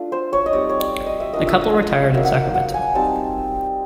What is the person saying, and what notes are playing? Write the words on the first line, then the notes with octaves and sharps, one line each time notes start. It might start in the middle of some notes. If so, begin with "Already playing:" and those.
The couple retired in Sacramento.
Already playing: A3 D4 F4
C5
C#5
D#5
G3 C4 D#4 D5
C#5
D5
D#5
E5
A#3 D4 F4 D#5
E5
D#5
F#3 A#3 D#4 E5
F#5
F5
F#5
G#5
G3 C4 D#4 A5